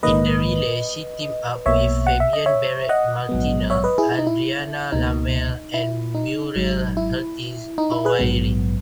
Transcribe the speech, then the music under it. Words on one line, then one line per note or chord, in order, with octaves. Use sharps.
In the relay, she teamed up with Fabienne Beret-Martinel, Adrianna Lamalle and Muriel Hurtis-Houairi.
A#1 G#2 D#3 A#3 B4 D#5
B1 B2 A#3 C#5 E5
F#5
E5
D#5
C#5 E5
D#5 F#5
A#1 G#2 F#3 B3
C#5 E5
B4 D#5
E4 G#4
E4
D#4
E4
C#2 B2 A#3 D#4
E4
D#4
G#1 G#2 F#3
E4
D#4
E4
G#4 B4
A#1 G#2 F#3 B3